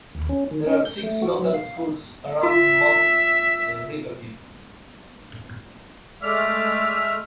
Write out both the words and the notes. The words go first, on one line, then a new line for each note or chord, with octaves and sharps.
There are six local schools around Mount Riverview.
D#2
C#4
D#3
C#4
G6
A3
F#4
F#3
F5
F4 E5
G#3 A3 D5 E5 F6